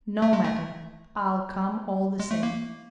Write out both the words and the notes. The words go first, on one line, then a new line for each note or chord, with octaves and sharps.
"No matter, I'll come all the same."
A3
G#3
A3
G#3
A3
A#3